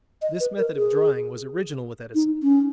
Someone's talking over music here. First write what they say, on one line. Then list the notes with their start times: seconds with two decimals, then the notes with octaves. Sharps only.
This method of drying was original with Edison.
0.22 D#5
0.40 B4
0.58 A#4
0.77 G#4
2.15 D#4
2.43 C#4